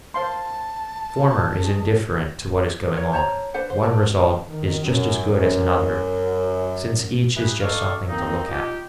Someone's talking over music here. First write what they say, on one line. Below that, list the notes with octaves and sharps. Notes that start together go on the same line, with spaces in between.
The former is indifferent to what is going on; one result is just as good as another, since each is just something to look at.
C5 F5 A5 C6
G#4 C#6
A#4 C#5
C5 C#5 A5 A#5
D4 B4 C5 F#5
C5
A#4 A5
D#3
F#2
E4 G4 G#4 B4
D#4 A4 D5 F5 C#6
A#3 C4 D#4
D#4 F4 G4